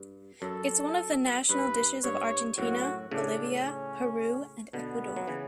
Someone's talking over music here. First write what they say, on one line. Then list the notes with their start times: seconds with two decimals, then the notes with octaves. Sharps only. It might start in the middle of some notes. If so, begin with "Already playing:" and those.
It's one of the national dishes of Argentina, Bolivia, Peru and Ecuador.
Already playing: G2
0.42 F#2 A4
1.50 G2 B4
2.04 G2 C#5
2.58 F#2 A2 F#4
3.11 A2 C#3 D4
3.66 C#4
4.73 B2 D3 B3
5.16 F#3
5.27 C#3 E3